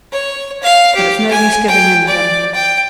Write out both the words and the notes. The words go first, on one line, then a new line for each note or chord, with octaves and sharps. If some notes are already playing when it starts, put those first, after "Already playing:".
But it's no use giving in, Jim.
C#5
F5
G4
G#5
G5
D5
G5